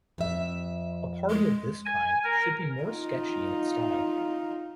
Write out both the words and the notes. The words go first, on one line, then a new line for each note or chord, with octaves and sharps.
A party of this kind should be more sketchy in its style.
F2 E5
G#3
G#5
A#4
D#4 F4